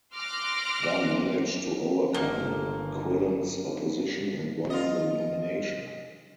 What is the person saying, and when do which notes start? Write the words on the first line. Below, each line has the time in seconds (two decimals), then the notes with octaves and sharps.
Dunn managed to overcome Quillen's opposition and won the nomination.
0.15 C6 D6 F6 F#6 A#6
2.14 G1 A#3
4.70 F4 D#5